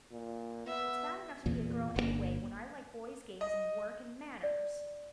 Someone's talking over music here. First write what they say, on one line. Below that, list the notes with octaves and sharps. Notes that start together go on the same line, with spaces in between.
It's bad enough to be a girl, anyway, when I like boy's games and work and manners!
A#2
B3 E5
E2 A#2
G1 B2 A#3
D#5
D5